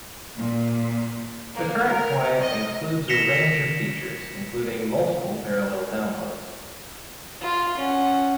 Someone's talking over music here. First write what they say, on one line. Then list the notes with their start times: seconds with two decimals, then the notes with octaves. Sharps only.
The current client includes a range of features, including multiple parallel downloads.
0.36 A#2
1.54 A#3
1.87 A#4
2.39 D#5
3.08 A#6 B6 C#7 E7 F7 G7
7.41 F4
7.77 C#4 F#5